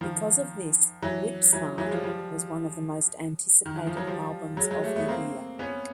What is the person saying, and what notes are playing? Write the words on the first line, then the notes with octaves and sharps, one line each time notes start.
Because of this, "Whip-Smart" was one of the most anticipated albums of the year.
D#3 F3
E3 F#3
E3 F#3
E3 F#3
G#3
F3 G3
F3 G3
D#3
E3
F3
F#3
F3 G3
F#3 G#3
F#3 G#3
G3 A3
A3 B3
A#3 C4
B3 C#4